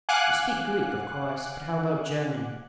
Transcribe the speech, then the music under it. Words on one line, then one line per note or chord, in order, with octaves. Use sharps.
You speak Greek, of course; but how about German?'
F5 F#5 G#5 D6 F#6